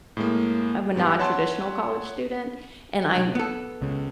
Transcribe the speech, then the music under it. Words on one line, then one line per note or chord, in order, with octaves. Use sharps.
I'm a nontraditional college student, and I
A2 G#3 A#3
G#2 B3 G4
C#5 E5 F#5 A5 C6
B1
B3 A4
C#2 C#3